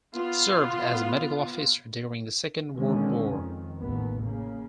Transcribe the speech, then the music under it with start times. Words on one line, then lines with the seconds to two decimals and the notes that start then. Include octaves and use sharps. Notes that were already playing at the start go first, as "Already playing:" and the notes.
Served as a medical officer during the Second World War.
0.16 B3 F4
2.76 D3 D#3 G#3 C4 C#4
3.28 F2 D#3
3.81 A1 D#2 B3
4.23 C#3 A#3